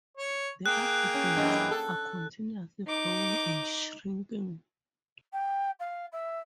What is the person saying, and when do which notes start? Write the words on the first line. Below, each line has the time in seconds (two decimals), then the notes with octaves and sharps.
The aggregates are continuously growing and shrinking.
0.17 C#5
0.66 A#3 G#4 G5 F#6
1.14 C#4
1.37 F#2 E3
1.71 A4
2.87 D#4 D6
5.33 G5
5.79 F5
6.12 E5